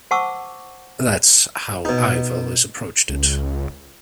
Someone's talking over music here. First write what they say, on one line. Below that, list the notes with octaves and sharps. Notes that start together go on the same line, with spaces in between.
That's how I've always approached it.
C5 F#5 A5 C#6 D6 E6
B2 D#4
C#2